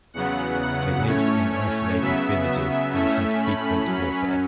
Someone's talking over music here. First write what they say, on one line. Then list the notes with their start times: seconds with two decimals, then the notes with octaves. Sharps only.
They lived in isolated villages and had frequent warfare.
0.13 E2 C#3 F#3 B3 F#5
0.61 F#5
1.07 A2 A3 C#4 C#5
1.54 C#5
2.00 C#3 F#3 B3 E5
2.93 A2 A3 C#4 E5
3.40 B5
3.86 F#2 F#3 C#4